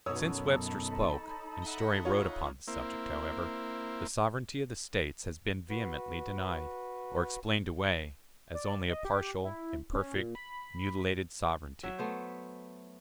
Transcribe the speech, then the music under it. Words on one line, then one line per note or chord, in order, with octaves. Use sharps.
Since Webster spoke and Story wrote upon the subject, however, the sovereignty of the States has been vehemently denied, or explained away as only a partial, imperfect, mutilated sovereignty.
F#2 B2 D#4 A4 C#5 B5 D#6 E6
D#5 E5 F#5
F4 C#5
A#3 C4 E4
F#4 B4
D5
D#5
G4
E4
C#4
A#2
B5
F#3 E5
A3 B3 C5